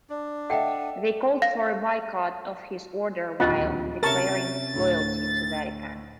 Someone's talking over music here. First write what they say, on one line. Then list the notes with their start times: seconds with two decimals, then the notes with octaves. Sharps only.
They called for a boycott of his order while declaring loyalty to Vatican.
0.10 D4
0.50 A4 D#5 E5 F#5 G5
1.42 F5
3.40 D1 A#1 D#2 F4 D#5 F#5
4.03 C3 C#4 A#4 E5 A5 C#6 A6
4.74 D2 A2